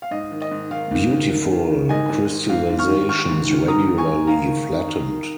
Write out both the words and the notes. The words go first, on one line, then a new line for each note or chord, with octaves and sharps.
Beautiful crystallizations regularly flattened.
F5
G#2 D#5
D#3
D#5
G#2
D#3 F5
G#2
D#3
D#3
D#3
D#3
G#2 D#5 G#5
G#2
G#2
G#2 F5
G#2
C#6 F6
D#3
D#3 C#6 F6
G#2
D#3
G#2 A#5 D#6
G#2
G#5 C#6
G#2
D#3 F5 A#5
D#3
D#3
D#3
D#3